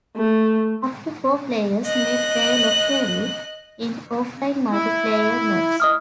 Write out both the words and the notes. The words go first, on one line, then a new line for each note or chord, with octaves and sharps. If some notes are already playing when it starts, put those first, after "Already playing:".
Up to four players may play locally in offline multiplayer matches.
A3
D#5 F#6
E4
D#5 D#6 F6